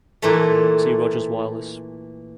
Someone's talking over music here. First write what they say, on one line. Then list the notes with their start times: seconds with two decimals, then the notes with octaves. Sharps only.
See Rogers Wireless.
0.22 A#2 E3 A3